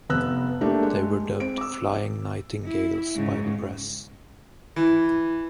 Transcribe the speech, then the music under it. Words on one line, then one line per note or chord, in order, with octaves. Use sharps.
They were dubbed Flying Nightingales by the press.
F1 B3 E6 F#6
A3 A#3 D4 G4
G#3
C4 D7
D6 E6
E4
G#2 C#3
E3